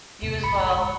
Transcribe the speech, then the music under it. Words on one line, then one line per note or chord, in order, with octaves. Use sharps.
You as well.
E2 A2 C3
G1 C2 F#2 A2 B5 C#7
G#3